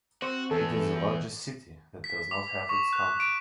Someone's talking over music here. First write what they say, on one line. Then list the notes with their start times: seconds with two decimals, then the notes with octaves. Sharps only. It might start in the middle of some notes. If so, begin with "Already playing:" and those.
It is the largest city that does not have its county.
0.22 C4 F#4
0.51 E2 A4
2.04 B6
2.31 D6
2.69 C#6
2.93 F#6
3.20 D7